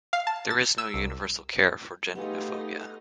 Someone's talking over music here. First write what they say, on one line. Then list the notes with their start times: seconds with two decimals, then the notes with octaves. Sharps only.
There is no universal cure for genophobia.
0.13 F5
0.27 A5
0.50 A6
0.78 E6
0.94 C2
2.15 A3 B3 D#4 F4 G4 G#4